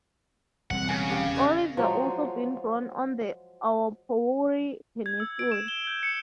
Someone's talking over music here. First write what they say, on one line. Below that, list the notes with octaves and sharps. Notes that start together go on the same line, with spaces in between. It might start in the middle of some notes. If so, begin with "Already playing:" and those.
Olives are also being grown on the Aupouri Peninsula.
E1 G3 C4 F#5
C#3 G#5
G4 F5 G5
B4 D5 D#5
F3 F#3 G#3
G#6
E6
D7
E7
G7
G6
C#7